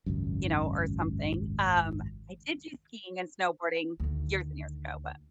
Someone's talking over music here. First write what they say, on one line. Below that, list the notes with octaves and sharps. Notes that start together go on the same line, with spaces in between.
you know, or something. Um, I did do skiing and snowboarding years and years ago, but
G#1 C#2 F#2
D2 D#3